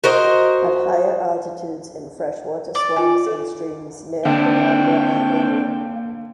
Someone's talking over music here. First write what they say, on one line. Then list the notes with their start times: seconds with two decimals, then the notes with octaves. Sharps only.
At higher altitudes in freshwater swamps and streams near Benambra and Omeo.
0.04 F#4 A#4 C5 D#5
2.75 D5
2.96 F4 G#5
3.26 A4
4.25 D3 A#3 C4 D4 G5